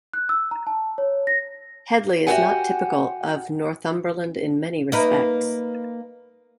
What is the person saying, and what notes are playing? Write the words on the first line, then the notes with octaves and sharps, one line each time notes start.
Hedley is not typical of Northumberland in many respects.
F#6
E6
A#5
A5
C#5
A#6
F#4 G4 A4 C5 F#5 G#5
A#3 D#4 B4